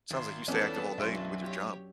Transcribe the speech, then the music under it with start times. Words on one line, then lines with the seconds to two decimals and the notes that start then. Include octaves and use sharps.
it sounds like you stay active all day with your job.
0.11 G#1 E5 C6
0.48 F2 E3 B3 C#4 D4 A4 A5
0.98 B1 F#2 F#3 E4 C6
1.42 G4 C#5